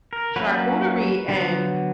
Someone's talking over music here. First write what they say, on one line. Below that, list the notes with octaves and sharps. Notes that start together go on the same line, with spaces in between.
charcuterie and,
A#4
F#3 A#3 C#4 B4
D3 F#3 B3